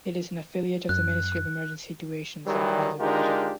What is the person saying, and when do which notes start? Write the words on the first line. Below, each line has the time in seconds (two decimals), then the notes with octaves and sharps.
It is an affiliate of the Ministry of Emergency Situations of Azerbaijan.
0.89 F#2 F#6
2.47 D#3 E3 F#3 G3
3.00 G#3 D4 D#4 F4 G4 A#4